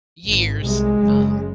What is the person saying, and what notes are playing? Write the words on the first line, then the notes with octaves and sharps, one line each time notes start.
years, um.
G#1 G#2
C2 C3 G#3
F#1 F#2 C#3